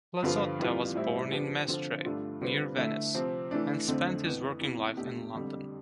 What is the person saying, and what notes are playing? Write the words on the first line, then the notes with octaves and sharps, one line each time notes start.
Plazzotta was born in Mestre, near Venice, and spent his working life in London.
G2 D3 F3 B3 F4
F2 E3 G3 B3 F4
A2 G3 C4 E4
F3 B3 D4 G4 C5
D3 F3 C4 F4
G2 D3 A3 D4 F4
D3 G3 C4 F4 B4
D3 A3 E4
C3 F3 C4
E3 A3 D4
F2 D3 A3 C4
F2 E3 B3
E2 C3 E3
B2 A3 D4 G4
F2 D3 G3